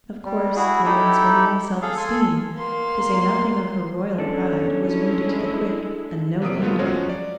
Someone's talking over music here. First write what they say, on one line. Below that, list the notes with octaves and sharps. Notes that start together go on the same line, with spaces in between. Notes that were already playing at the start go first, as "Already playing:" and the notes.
Of course, Mary's womanly self-esteem, to say nothing of her royal pride, was wounded to the quick, and no wonder.
G3
E4 F#4 G#4
D#4 E4 G4 A4
G#4 A4 F5
A4 G#5 C6
A#3 C6
C#4 D4 A4
G#3 E4
C3 A#3 D#6 D7
D3 F#3 A3 B3 F4
F3 F#3 G#3 C#4 F#4
D5